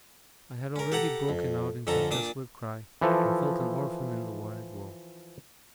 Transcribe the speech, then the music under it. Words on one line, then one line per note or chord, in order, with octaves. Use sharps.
I had already broken out into a desolate cry, and felt an orphan in the wide world.
C#4 A#4
G4 A4 F#5 A#5
F2
F2 D3 C#4 A4 A#5
A#2 D4 A5 D#6
E3 F3 A4